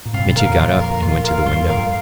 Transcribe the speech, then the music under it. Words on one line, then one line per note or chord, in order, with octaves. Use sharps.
Mitya got up and went to the window....
A#2
G2 C3 F4
G2 C3
A#2 D3 A#4 F5
F2 A#2
F4
A#4 F5
F4
A#4 F5
G2 F4
F2
A#2 A#4 F5
G2